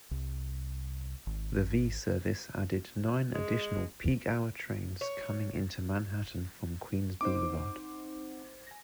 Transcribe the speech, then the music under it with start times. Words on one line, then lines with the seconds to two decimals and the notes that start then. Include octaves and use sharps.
The V service added nine additional peak-hour trains coming into Manhattan from Queens Boulevard.
0.11 C2
1.27 G#1
3.34 G#3
5.01 C#5
7.21 C4 D#4 C5 F#5 D6
8.67 G#5 A#6